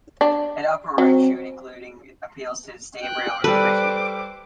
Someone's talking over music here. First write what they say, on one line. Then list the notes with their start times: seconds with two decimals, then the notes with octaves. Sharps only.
An uproar ensued, including appeals to the State Railroad Commission.
0.21 D4
0.98 F#3 C4
3.02 G5 F#6
3.44 G3 A4 B4 C5 D6